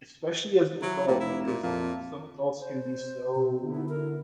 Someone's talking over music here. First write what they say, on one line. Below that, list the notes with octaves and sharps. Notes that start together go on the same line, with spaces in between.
Especially as an adult because some adults can be so
F#3 E4
F1 A#2 A#3
E4
A#2
F2 A#2 A4 F5
C5
B2 C4
D3 B3 E4
D#4
A#4